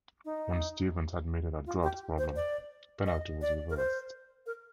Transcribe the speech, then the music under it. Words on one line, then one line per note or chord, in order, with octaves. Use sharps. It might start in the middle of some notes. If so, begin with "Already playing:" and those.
When Stevens admitted a drugs problem, the penalty was reversed.
D#4
F4
G4
C5
D5
D#5
D5
A#4
C5
A#4